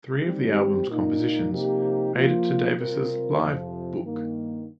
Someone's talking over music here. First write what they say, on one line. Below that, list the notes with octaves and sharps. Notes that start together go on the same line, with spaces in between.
Three of the album's compositions made it to Davis's live "book".
D#3 G3 C4 G4
A#2 A#3 D#4
C3 F3 A#3 D#4 G4
F3 A#3 F4
C3 G3 C4 F4 A#4
F2 C3 F3
G2 D#3 A#3